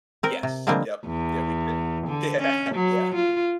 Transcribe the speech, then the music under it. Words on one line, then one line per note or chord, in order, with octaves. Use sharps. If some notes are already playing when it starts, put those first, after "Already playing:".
Yes, yep. Yeah, we couldn't yeah, yeah.
C4 A#4
C3
D3 F3 G3 G#3 A#3 C4
E2
D3
C#4
F#3
F4